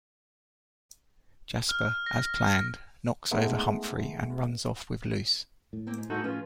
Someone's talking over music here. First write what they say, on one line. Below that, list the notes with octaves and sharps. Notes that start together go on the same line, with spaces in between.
Jasper, as planned, knocks over Humphrey and runs off with Luce.
F6
A#6
G#3 A3 B3 D#4
A2
A#3 C4 A#4
G#2
G#2 G#3 D#4 F#4 A4
F3 C#4 F4 G#4 B4